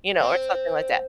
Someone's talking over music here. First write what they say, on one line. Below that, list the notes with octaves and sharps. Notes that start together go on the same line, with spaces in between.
you know, or something like that.
C4